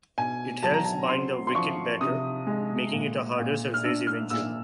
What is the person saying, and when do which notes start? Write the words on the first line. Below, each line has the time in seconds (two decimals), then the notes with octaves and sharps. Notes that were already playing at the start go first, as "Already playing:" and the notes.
It helps bind the wicket better, making it a harder surface eventually.
0.18 B2 G#5
0.63 F#3 A5
0.74 A#5
0.84 A5
1.09 C4 C6
1.47 C6
1.55 F3 C#6
2.01 C3 D#6
2.47 G#3
2.93 A#2
3.39 A#2
3.74 F6
3.84 D4 E6
4.07 F6
4.30 A#2 E6